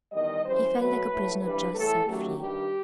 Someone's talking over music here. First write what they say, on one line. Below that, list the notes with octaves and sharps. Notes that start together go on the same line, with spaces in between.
He felt like a prisoner just set free.
E2 D#3 G3 D#5
F#2 E3 G3 C5
B2 F#3 A3 B4
A2 F#3 A3
G2 E3 G3 B4
A2 E3 A3 A4
F#2 D#3 F#3 A3 G4
G2 D#3 G3 G4